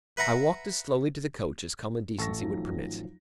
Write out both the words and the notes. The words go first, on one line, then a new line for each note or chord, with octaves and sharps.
I walked as slowly to the coach as common decency would permit.
B4 E5 F#5 A#5 B5
A1 A4 C#6 A#6
F3 F#3 D#4